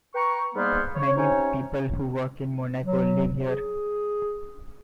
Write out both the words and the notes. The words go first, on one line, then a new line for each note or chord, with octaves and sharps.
Many people who work in Monaco live here.
B4 G5 A#5 C#6
G#2 G3 A#3 B3 C5 F6
C#5
C3 C#4 D#4 C#5
F#3
G#4